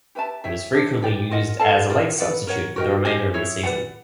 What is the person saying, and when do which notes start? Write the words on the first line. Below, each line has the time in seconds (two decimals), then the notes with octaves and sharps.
He was frequently used as a late substitute for the remainder of the season.
0.15 G4 B4 E5 A5
0.44 G#4 C#5 E5 G5
0.73 D4 G4 C5
1.02 G4 B4 D5 G5
1.31 F4 A#4 D#5 F#5
1.60 A4 D5 F5 A5
1.89 F4 A#4 D5
2.18 B4 D5 F#5
2.47 A#4 C#5 F#5
2.76 F#4 A#4 D#5 G5
3.05 G4 C5 D#5 G#5
3.34 E4 G#4 C#5
3.63 B4 D5 F#5